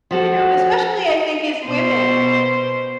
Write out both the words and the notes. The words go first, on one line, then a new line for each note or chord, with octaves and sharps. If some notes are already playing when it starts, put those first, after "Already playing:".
you know, especially I think as women
F3 F#4 A4
B2 C5